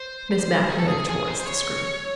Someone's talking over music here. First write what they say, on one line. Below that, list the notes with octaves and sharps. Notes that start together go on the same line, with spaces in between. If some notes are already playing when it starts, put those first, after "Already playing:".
Miss Mapp moved towards the screen.
Already playing: C5
C5
G#4
A4
G#4
G#4
C5
C5
C#5